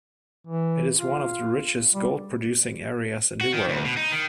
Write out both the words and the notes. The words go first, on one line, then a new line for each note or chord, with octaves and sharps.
It is one of the richest gold-producing areas in the world.
E3
F4
G3
F#4
D#3
D2
B2
D#4
D#3